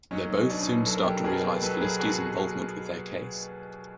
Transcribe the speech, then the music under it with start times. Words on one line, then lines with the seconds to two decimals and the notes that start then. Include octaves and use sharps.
They both soon start to realize Felicity's involvement with their case.
0.11 F#3 C#4 D#4
0.30 F#3
0.36 C#4 D#4
0.49 B2 D4
0.61 C#4 D#4
0.68 B2
0.86 F#3 A4
0.94 A#4
1.04 F#3 G4 A4
1.24 B2 G#4 A#4
1.43 B2
1.62 F#3 A4 B4
1.81 F#3 G#4 A#4
2.00 B2 F#4 G#4